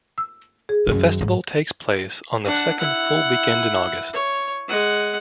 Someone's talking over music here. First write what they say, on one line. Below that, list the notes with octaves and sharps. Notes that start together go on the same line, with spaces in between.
The festival takes place on the second full weekend in August.
E6
G#4
F#2 D#3
G#2
D4 F#5
E4 F#5
C#5
G#3 F#5